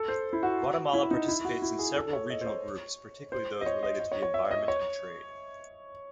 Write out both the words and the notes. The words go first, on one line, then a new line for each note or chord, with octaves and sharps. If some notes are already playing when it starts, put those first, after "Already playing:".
Guatemala participates in several regional groups, particularly those related to the environment and trade.
Already playing: A4
C5
E4
F#4
E4
D#4
E4
F#4
E4
G#4
A4
C#5
D#5
C5
C#5
C5
D#5
C#5
D#5
D#5
C#5
C#5
E5
D#5
C#5